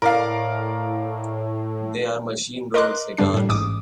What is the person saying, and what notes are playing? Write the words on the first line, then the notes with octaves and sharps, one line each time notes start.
They are machine-rolled cigars.
A2 A#4 D5 F5
A#4 D#5 C6 D6 F#6
G2 D3 G3 D4 C7
A2 G3
A1 G#2 D6 D#6